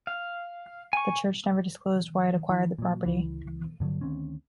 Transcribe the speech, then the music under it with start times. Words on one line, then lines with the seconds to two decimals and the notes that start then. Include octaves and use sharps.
The church never disclosed why it acquired the property.
0.07 F5
0.93 G#5 C#6
2.49 E3
2.78 A#2 F#3
3.05 C#2 E3
3.80 G2 D3 D#3 F#3
4.01 D2 D#3 C4 C#4